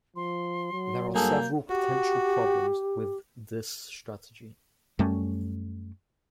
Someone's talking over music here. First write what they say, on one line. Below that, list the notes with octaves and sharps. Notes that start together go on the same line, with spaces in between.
There are several potential problems with this strategy.
F3 C6
F#3
G2 A#3 G#4 A4 G6
F#4 G4
F#2 G3 A3 C#4